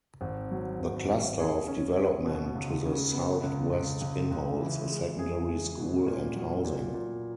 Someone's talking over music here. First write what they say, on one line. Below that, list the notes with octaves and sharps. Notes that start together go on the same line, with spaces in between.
The cluster of development to the southwest inholds a secondary school and housing.
G#1
F#3
G#1
G#1
G#4
C#4
G#4
B2
C#2
C#3
B3
C#2
C#2
C#2
C#2
E3
G#3
G#4
G#3
B2
A#2
F#3
A#2
A#2